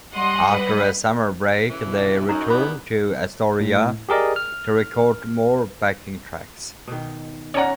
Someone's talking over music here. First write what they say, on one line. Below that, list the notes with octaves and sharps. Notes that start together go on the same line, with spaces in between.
After a summer break, they returned to "Astoria" to record more backing tracks.
G3 D#5 F#5 C6
B4
C#3 E3
B2
F#2 D#4 A#5
E2 G3 B3 B5
A2
G4 G#4 A#4 D5 D#5
F6
B2 D#3
C#4 C#5 D5 F#5 A#5